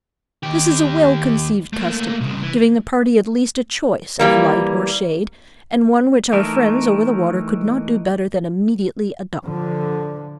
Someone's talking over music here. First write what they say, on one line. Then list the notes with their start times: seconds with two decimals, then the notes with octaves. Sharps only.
This is a well-conceived custom, giving the party at least a choice of light or shade, and one which our friends over the water could not do better than immediately adopt.
0.43 D#2 G4
1.73 A3 A#3
2.21 C2 C#3
2.42 E3
4.19 E3 G3 A#3
6.33 E3 A3 D#4 A#4
9.44 D3 F3